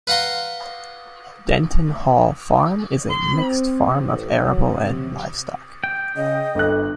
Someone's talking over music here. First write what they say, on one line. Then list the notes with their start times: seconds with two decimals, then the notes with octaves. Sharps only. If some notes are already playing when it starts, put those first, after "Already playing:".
Denton Hall Farm is a mixed farm of arable and livestock.
0.07 B4 F5 F#5 A#5 C6
3.31 C4
3.98 A1
4.33 F#3
4.72 C3
5.84 G5
6.16 C#3 D#5
6.55 G1 A4 F#6